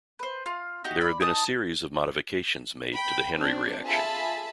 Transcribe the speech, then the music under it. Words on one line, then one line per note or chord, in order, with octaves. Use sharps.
There have been a series of modifications made to the Henry Reaction.
B4 C5
F4 F5
D#4 F#4 G4
D5 B5
D#4 G#5 A5 D#6
G5 B5
C4 D4
F4 G#4 A4 E5 A5 B5